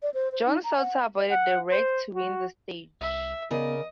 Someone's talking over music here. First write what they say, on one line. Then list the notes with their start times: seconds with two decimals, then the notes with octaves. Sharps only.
Johnny Sauter avoided the wrecks to win the stage.
0.02 D5
0.14 C5
0.32 C5
0.46 D#4
0.64 A#5
0.78 F#5
1.31 F#5
1.72 C5
2.16 F#4
3.01 C2 E5
3.51 C#3 B3 A#4 D5 D#5